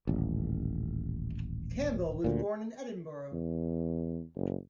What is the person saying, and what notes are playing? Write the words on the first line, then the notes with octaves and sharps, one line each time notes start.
Campbell was born in Edinburgh.
D#1 A1
D2 A#2
E2
F#1